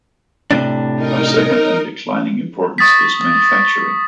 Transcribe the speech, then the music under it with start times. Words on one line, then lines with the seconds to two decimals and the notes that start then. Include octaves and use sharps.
Of second and declining importance is manufacturing.
0.51 A2 C3 D4
0.96 D#4 A#4
2.78 C#6 D#6 A6 B6